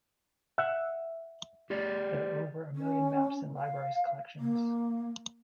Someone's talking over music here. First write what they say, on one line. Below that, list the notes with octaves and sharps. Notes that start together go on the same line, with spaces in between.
There are over a million maps in the Library's collections.
E5 F#5
G4 G#4 D5
C#4
F5
A#3